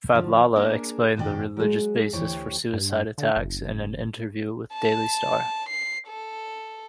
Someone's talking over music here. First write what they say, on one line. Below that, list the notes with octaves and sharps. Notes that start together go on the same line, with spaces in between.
Fadlallah explained the religious basis for suicide attacks in an interview with "Daily Star".
D3 F3
A#3 D4 G#4 A#4
F#2 B2 D#3 C#4 D5 G5
F#3 G#3
D2 E3 G4 C#5 G5
G2
D3
F#1
A5
C7
A4